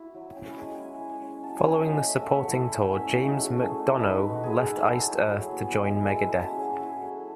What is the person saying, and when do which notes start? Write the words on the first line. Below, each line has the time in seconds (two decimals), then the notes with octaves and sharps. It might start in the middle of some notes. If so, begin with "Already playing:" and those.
Following the supporting tour, James MacDonough left Iced Earth to join Megadeth.
Already playing: E4 F#4
0.14 F#3
0.35 C#4
0.57 G#3 G#5
0.78 E4
1.00 G#3
1.22 C#4
1.43 F#3 A5
1.58 G#5
1.64 E4
1.72 G#5
1.86 F#3 D#5
2.07 A3 E5
2.28 A3 F#5
2.50 E4 G#5
2.72 A3 F#5
2.93 C#4 E5
3.15 D#4 F#4
3.29 G#4
3.36 A3
3.44 F#4
3.58 A3 G#4
3.80 D#4
4.01 D#4 B4
4.15 F#4
4.22 G#3
4.29 F#4
4.43 G#3 G#4
4.65 D#4 A4
4.87 F#3
5.08 E4
5.29 F#3 G#4
5.51 B3 F#4
5.72 G#3 G#4
5.86 G#4
5.94 E4
6.01 B4
6.15 G#3 A4
6.29 G#4
6.37 C#4
6.44 F#4
6.58 F#3 G#4
6.80 E4 F#4
7.01 F#3 A4